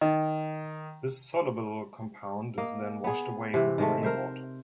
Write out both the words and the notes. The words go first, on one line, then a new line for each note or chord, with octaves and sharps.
This soluble compound is then washed away with the rainwater.
D#3 D#5
A#3 D#5
B3 G#4
C3 E3
D#3 G#3 A3
A#4 C5 E5